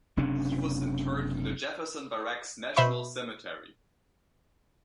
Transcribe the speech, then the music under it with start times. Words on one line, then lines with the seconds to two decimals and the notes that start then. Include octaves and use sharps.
He was interred in the Jefferson Barracks National Cemetery.
0.17 F#1 C3 C#4 D4
2.76 B2 C5 E5 B5 C#6